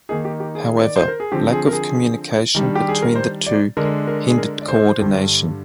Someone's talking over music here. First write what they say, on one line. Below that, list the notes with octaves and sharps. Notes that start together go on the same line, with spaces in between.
However, lack of communication between the two hindered co-ordination.
D#3 A#3 D#4 G#4
G4
G4
G#4
D5
C5
A#4
G#4
D3 F3 C4 G4
G#4
A#4
G#4
D#3 G3 D4
G4
G#4
A#4
C5
D5
D3 G#3 D4 A#4
A#4
G#4
A#4
D5
C5
G2 D3 G3